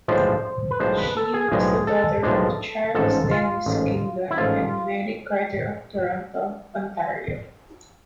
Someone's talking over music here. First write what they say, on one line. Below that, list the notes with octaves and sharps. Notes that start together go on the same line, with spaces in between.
She was the daughter of Charles Dennis Kingdon and Mary Carter of Toronto, Ontario.
B1 A2 F3 G#3 D4 C5
B4
B1 A2 F3 G#3 D4 C5
B4
A4
G#4
B1 A2 F3 G#3 D4 G#4
A4
B1 A2 F3 G#3 D4
A1 G#2 F3 A4
F4
A1 G#2 F3
E4
A1 G#2 F3 F4